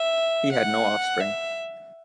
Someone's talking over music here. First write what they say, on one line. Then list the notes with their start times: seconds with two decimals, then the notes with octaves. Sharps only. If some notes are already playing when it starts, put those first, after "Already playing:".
He had no offspring.
Already playing: E5
0.52 F#5
1.21 E5